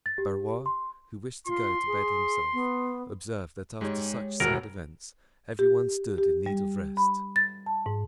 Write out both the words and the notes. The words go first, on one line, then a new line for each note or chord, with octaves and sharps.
Barrois, who wished to go to bed himself, observed that after such sad events every one stood in need of rest.
A6
G4
C6
F4 C6
G#4
B3
G#2 G#3 G4 C#5
E1 F#4 A#4 A#5
G4
G4
G3
B5
A6
A5
G#2